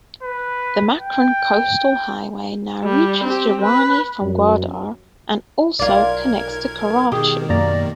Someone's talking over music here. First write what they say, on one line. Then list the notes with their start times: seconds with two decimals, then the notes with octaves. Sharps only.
The Makran Coastal Highway now reaches Jiwani from Gwadar and also connects to Karachi.
0.23 B4
1.02 G5
2.85 G3
3.24 C4 G4
3.62 B4
4.21 F#2
5.79 B1 F4 A#4 D5 G#6
7.12 B2 D#3 G4 G#4
7.50 F#2 A#3 D5 A#5